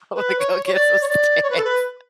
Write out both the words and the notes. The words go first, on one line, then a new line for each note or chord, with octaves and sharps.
"I'm gonna go get some snacks."
B4
C#5
C#5
D5
C#5
D5
C#5
B4
A4
B4